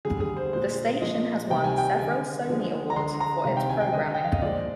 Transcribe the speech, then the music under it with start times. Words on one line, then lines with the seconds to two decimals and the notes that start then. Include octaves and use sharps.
The station has won several Sony Awards for its programming.
0.05 D3 G3 G#4
0.20 G#4
0.37 C5
0.53 A#2 G#3 C5
1.01 A#2 F3 G#3 D#5
1.50 C3 D#3 G3 G5
1.64 G#5
1.78 G5
1.98 D3 G#3 G#5
2.47 D3 F3 G#3
2.90 A#5
2.96 D3 G#3 C6
3.20 A#5
3.44 C3 D#3 G#3 F5
3.57 G5
3.69 G#5
3.81 G5
3.93 D3 G#3 D#5
4.14 G5
4.24 F5
4.33 D#5
4.42 A#2 F3 G#3 D5